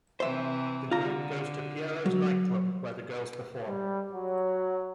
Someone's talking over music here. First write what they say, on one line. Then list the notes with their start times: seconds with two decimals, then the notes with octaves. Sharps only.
The group goes to Pierrot's nightclub, where the girls perform.
0.20 C3 E3 C5 E5
0.91 D3 F4 A#5
2.06 F#3
3.65 G3
4.12 F#3